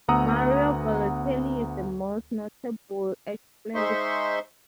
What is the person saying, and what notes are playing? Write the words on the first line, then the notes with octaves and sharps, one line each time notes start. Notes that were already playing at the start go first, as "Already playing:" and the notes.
Mario Balotelli is the most notable ex-player.
D2 B3 F#5 A#5 D#6 E6
G#3 D#4 C5 E5 C6 C#6